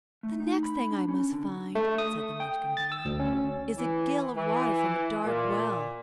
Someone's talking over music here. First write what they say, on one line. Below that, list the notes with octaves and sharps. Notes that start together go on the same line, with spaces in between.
"The next thing I must find," said the Munchkin boy, "is a gill of water from a dark well."
A3
D#4
B5
D4
C#4
D3
A3
D#6
G5
A6
E6
D2
C#4
E3
E3
A#2